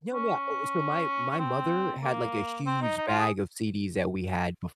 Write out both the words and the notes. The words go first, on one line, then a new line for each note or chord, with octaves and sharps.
No, yeah, oh, so my my mother had, like, a huge bag of CDs that we had before,
C#4
C#4
C4
A#3
C4
D#4
D#4
F4
G#4